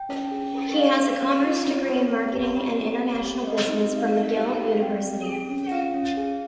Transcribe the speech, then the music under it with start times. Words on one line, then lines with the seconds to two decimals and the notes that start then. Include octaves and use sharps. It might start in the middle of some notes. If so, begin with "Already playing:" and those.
He has a commerce degree in marketing and international business from McGill University.
Already playing: G5
0.09 C#4
0.31 G#4
0.53 C#4
0.76 G#4 F5
0.99 C#4
1.22 C#4
1.44 F4
1.66 C4 C#5
1.90 C4
2.12 C4
2.34 G4
2.57 C4
2.79 C4
3.02 G4
3.25 G4
3.47 C4 D#5
3.69 D#4
3.92 C4
4.14 D#4
4.37 G4 F5
4.60 G4
4.81 C4 G5
5.04 C4
5.26 G#4
5.50 C#4
5.71 F4 F5
5.94 C#4
6.17 G#4